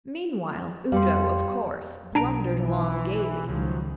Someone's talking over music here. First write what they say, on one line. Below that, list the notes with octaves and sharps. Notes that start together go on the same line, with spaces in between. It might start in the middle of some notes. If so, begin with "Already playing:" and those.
Meanwhile Udo, of course, blundered along gaily.
F2 G3 F5 G5 C6
B1 D4 A#5 D7
E3
C#2 D#3 F3 F#3